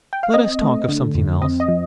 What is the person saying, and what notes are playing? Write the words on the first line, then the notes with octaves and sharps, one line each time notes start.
Let us talk of something else.'
G5
F5
C4 D#5
A3
D3
F2
C4 D#5
D#5
F3